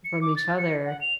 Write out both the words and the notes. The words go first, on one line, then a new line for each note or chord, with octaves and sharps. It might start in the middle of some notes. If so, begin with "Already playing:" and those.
from each other
C#7
D6
A6
C#7
F#5
F7